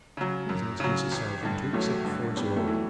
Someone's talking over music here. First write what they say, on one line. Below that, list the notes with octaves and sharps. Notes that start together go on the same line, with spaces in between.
"Please ask Mrs. Salton to accept for us all."
C#3 F#3
F#2
C#3 F#3
A1
G2 D3
A1 F#3 A3
G2 D3
A1 G3 B3
F#3 A3
E3